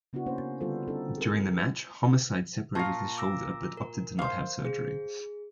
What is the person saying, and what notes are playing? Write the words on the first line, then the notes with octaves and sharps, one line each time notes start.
During the match, Homicide separated his shoulder, but opted not to have surgery.
C#3 B3 D4 E4 F#4
A#3 C#4 C5
D3 G3 B3 F4 A4 C5
C4 D4 D#4 A4
G#4 A#4
A#2 F5 A5 C#6 A#6
D6 E6 A#6
A#4
C5 F5
G#4